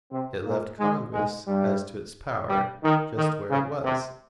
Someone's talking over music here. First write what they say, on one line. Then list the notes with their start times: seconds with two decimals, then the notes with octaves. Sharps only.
It left Congress, as to its power, just where it was.
0.11 C3 C4
0.45 A#2 A#3
0.79 G#2 G#3
1.13 G#2 G#3
1.47 G2 G3
2.49 G2 G3
2.83 D#3
3.17 D#3
3.50 C#3
3.84 C3